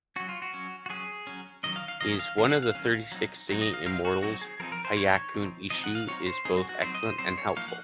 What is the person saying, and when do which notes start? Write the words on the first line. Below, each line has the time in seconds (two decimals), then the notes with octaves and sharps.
Is one of the thirty-six singing immortals. Hyakunin Isshu is both excellent and helpful.
0.16 F#3 C#4 F#4
0.29 F4
0.42 F#4
0.54 F#3 C#4
0.86 F#4
0.90 F#3 C#4 G#4
1.27 F#3 C#4
1.63 D#3 F#3 C#4 D#5
1.76 F5
1.88 F5
2.01 D#3 F#3 C#4 D#5
2.19 F5
2.38 D#3 F#3 C#4 F5
2.50 F#5
2.62 F5
2.75 D#3 F#3 C#4
3.12 F#3 C4 D#4
3.49 F#3 C4 D#4
3.62 D#5
3.73 F5
3.86 F#3 C4 D#4 F5
4.05 F#4
4.23 F#3 C4 D#4 F#4
4.41 G#4
4.60 F3 C4 D#4 A#4
4.72 A#4
4.85 C5
4.97 F3 C4 D#4 C#5
5.34 F3 C4 D#4
5.70 F3 C4 D#4 D#5
5.84 F#5
5.95 F5
6.07 F#3 C4 D#4 C#5
6.26 C5
6.45 F#3 C4 D#4 G#4
6.57 F#4
6.69 F#4
6.82 F#3 C4 D#4 C5
6.95 D#5
7.06 C5
7.18 F#3 C4 D#4 C5
7.38 C#5
7.56 F3 A#3 D#4 F5
7.68 F#5